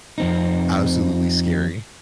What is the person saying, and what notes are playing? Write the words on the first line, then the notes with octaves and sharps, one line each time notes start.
absolutely scary.
F2 C4 D#4